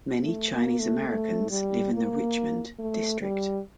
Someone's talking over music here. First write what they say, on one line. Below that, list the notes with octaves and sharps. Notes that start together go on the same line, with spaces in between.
Many Chinese Americans live in the Richmond District.
A3
A#3
A3
A3
G3
A#3
A3
G3